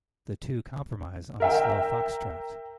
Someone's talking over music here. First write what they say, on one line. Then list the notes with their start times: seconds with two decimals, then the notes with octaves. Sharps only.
The two compromise on a slow fox-trot.
1.40 A#4 E5 G5